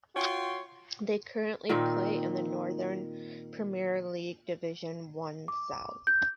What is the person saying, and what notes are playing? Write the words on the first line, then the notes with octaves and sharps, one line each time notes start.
They currently play in the Northern Premier League Division One South.
F4 F#4 C#5 G5 C6
A#2 D#3 C4 D#4
D6
G6